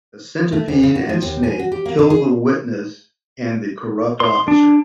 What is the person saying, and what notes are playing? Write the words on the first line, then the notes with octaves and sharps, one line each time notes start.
The Centipede and Snake kill the witness and the corrupt officer.
A3
D2
C#3
F#4
F3
D#2
G#5
F#4
G4
A#3
D3
G#4
C6
D4